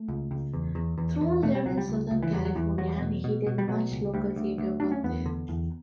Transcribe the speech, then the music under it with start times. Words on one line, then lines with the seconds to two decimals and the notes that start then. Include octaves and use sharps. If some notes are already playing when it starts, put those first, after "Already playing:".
Throne lived in Southern California, and he did much local theater work there.
Already playing: A3
0.08 C#2
0.31 C#2
0.53 E2
0.75 E2
0.98 E2
1.21 E2
1.43 B2 A3
1.55 G3
1.65 C#2 F#3
1.78 G3
1.88 C#2
2.10 C#2
2.23 E3
2.33 E2 F#3
2.45 F#3
2.56 E2 E3
2.78 E2 F#3
3.01 B2
3.24 B2
3.47 B2
3.58 G3
3.68 B2 F#3
3.92 C#2
4.14 D2 G3
4.36 D2
4.58 D2
4.80 D2 D4
4.92 C#4
5.04 E2 B3
5.26 D3
5.49 E2